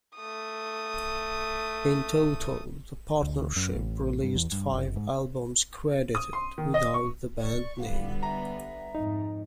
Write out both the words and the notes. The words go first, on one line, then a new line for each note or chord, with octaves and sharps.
In total, the partnership released five albums credited without the band name.
A3 D#6
D2
F#2
A1
G2
E2
G2
F#1
G#2
D#6
C6
D#3
D#5
C#6
D5 C#6
D3 G3 B3 F5
E5 A#5
F2 G#2 D#4